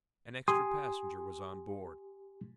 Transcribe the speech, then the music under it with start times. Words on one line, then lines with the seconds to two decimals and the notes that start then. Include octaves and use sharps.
An extra passenger was on board.
0.48 G4 G#5 C6 D#6